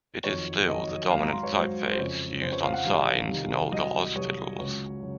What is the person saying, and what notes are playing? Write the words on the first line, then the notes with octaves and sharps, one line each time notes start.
It is still the dominant typeface used on signs in older hospitals.
F2 D#3 F#3 C#5
F2 D#3 F#3 D#5
D#5
G#2 F#3 F5
A#5
C6
C#5
G#2 F#3 C5
C5
F2 C#3 F3 C#5
F2 C#3 F3 C5
C#5
F5
F#5
C2 C3 D#3 F5
C2 C3 D#3
C2 C3 F#3 D#5
C2 C3 F#3 C#5
C#2 C#3 F#3 C#5
C#3 F#3